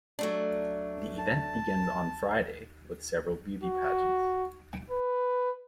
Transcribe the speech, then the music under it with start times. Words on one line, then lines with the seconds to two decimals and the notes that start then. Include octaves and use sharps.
The event begins on Friday with several beauty pageants.
0.19 F#3 A3 D4
1.19 A5
3.63 F#4
4.90 B4